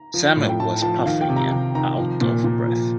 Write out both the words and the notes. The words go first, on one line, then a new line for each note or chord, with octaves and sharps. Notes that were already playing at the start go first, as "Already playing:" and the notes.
Samuel was puffing and out of breath.
Already playing: A#5
F3
A2
G5
A2 A5
F3 A5
D#3 F5
G5
C3
A#5
C3
D#3 A#5
F3
A#2
A#2
F3